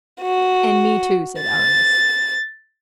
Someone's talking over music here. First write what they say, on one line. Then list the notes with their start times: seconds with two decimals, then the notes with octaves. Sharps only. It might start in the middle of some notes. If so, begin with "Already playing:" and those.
"And me, too!" said Aramis.
0.22 F#4
1.42 A6